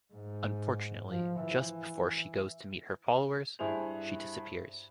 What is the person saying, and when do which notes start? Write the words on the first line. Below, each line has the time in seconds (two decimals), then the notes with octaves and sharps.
Unfortunately, just before she goes to meet her followers, she disappears.
0.13 G#2
1.09 F3
1.39 E3
3.59 G2 E4 G#4 C5 F7